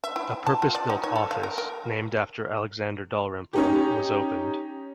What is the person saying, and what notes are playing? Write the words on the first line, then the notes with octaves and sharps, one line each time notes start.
A purpose-built office, named after Alexander Dalrymple, was opened.
E5
E4
A5
F4
D5
D#4
C#5
A4
F5
A#4
A#4
C#4 D#4 G4